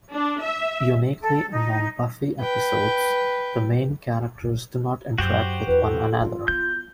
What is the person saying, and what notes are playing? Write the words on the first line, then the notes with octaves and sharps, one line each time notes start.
Uniquely among "Buffy" episodes, the main characters do not interact with one another.
D4
E5
A4
D#4
B4 G5
F#2 F#4 G4 C5
E2 F3 B4
A4
D#3 F4
B3 G6